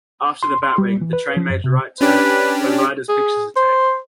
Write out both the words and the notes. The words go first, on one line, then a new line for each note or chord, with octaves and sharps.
After the batwing, the train made a right turn, where riders' pictures are taken.
C6
C6
G3
E3
B4
F3
F#2
C3
C#4 D4 G4 B4
G#4
C5